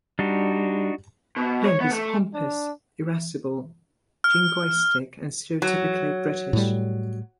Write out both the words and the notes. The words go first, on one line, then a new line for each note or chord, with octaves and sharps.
Blimp is pompous, irascible, jingoistic, and stereotypically British.
G3 D4 D#4 F#4
B2
C#5
B3
A3
D4
F6
F#3
A2 G3